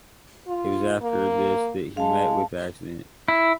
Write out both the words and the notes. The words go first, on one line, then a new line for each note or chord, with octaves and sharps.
It was after this that he met with the accident.
F4
A#3
G#3 F5 A5
E4